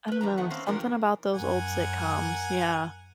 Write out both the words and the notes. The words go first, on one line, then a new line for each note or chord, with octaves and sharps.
I don't know, something about those old sitcoms, yeah.
A#4 B4
F2 D4 A#5
D#3 A3 B3 F#5
A#3 C4 C#4
B2 E3 F3 D4 G4 A#4
F#2 A#4 F#5 G#5